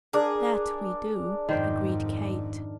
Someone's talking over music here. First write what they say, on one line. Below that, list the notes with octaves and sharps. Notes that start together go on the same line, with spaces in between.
"That we do!" agreed Kate.
D4 G#4 A#4
F2 G#2 D#3 C5 G5